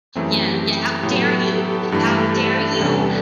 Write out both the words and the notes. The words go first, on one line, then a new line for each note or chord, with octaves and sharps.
yeah, yeah, how dare you, how dare you
F#2 E3 A3 C4 G4
G4
A4
A2 F#3 B3 A4
G2 E3 A3
E2 C3 G3 B3 D4